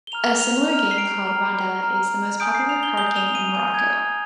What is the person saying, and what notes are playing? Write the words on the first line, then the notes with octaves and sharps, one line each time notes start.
A similar game called Ronda is the most popular card game in Morocco.
G7
A#5 F6 F7
F7
A#5 F6 F7
C7
D7
A#5 F6
A#5 F6
G#5 D#6 G6 D7
C7
F7
G7
G#5 D#6 G6 G7
F7
D#7
G#5 D#6 G6 D#7
G#6